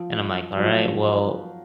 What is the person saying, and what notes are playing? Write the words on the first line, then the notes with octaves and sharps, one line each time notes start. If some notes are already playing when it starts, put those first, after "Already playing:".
And I'm like, "Alright, well"
Already playing: F3
F#3
F3